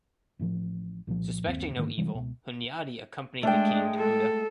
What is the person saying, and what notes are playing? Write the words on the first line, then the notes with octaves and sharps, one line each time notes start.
Suspecting no evil, Hunyadi accompanied the king to Buda.
A1 A2 E3 F3
C2 A#2 E3 F3
G1 D#2 C4
G#2 D3 D#3 A#3
C3 E3 G3 G#3
C#2 B2
G#3 A3 D4 G5
A4